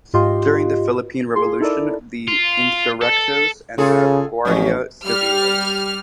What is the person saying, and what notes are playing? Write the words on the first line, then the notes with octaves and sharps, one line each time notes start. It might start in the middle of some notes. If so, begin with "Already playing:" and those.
During the Philippine revolution the "insurrectos" and the "Guardia civiles".
G#2 F4 G4 D#5 C6
F4 G#4 C6
D#4 E4 A4 A#4 D5
F4
A4
C#3 F4 G#4 A4
A1 F3 G#3 C#4
G3 F6